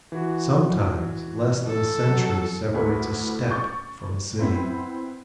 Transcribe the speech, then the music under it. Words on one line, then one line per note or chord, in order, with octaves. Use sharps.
Sometimes less than a century separates a steppe from a city.
E3 F#4
A4
F#3
D2 E4 A4 B4
C#6 D6 G6 A6
B3 C4 E4 C5